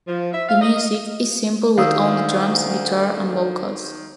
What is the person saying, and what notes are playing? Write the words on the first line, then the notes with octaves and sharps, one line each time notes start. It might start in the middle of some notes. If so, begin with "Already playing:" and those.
The music is simple with only drums, guitar and vocals.
F3
E5
F5
D#5
D2 D#3 F5 D#6 E6